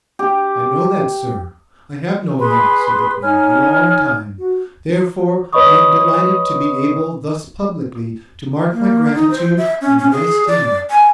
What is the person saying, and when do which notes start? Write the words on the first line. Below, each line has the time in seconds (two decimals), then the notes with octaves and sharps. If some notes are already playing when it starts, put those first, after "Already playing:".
"I know that, sir; I have known that," said the queen, "a long time; therefore I am delighted to be able thus publicly to mark my gratitude and my esteem."
0.19 G4
2.38 G#4 B4 B5 C6
3.21 D#4 C#5 G#5 F6
4.38 F#4
5.53 B4 C#5 D#5 B5 C#6 D#6
8.72 A#3
9.15 D#4
9.31 C5
9.58 E5
9.81 C#4
9.98 C#4
10.12 G#4
10.47 D5
10.90 G#5